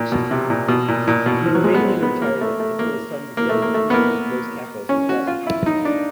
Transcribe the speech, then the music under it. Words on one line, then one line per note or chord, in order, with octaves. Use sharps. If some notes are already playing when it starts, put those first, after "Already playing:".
He remained in retirement until his son began feuding with Los Capos as well.
Already playing: A#2
B2
C3
A#2
B2
A#2
A#2
B2
F3
F#3
G#3
B3
C4
B3
A#3
A3
A3
A#3
A#3
A3
A#3
A3
B3
A#3
C#4
F#4
F4
E4
D#4
D4